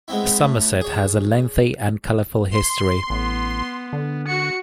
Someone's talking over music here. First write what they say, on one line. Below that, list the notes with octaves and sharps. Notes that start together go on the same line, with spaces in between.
Somerset has a lengthy and colorful history.
G#3 B3 C4 E4
A2
G#4 C#5
C6
A1 B3
D3
F#4 C#7